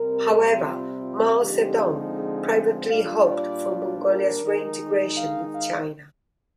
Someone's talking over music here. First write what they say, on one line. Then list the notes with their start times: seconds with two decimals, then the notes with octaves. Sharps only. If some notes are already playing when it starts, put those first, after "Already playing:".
However, Mao Zedong privately hoped for Mongolia's reintegration with China.
Already playing: C3 G3 C4 A#4
0.63 F4
1.01 F4
1.39 D3 F3 G#3 C4 D#4 G4
2.14 G#4
2.90 A#2 G3 D4 F4 F5
3.28 D5
4.03 A#4
4.41 D#3 G#3 D#4
5.17 F5
5.54 F5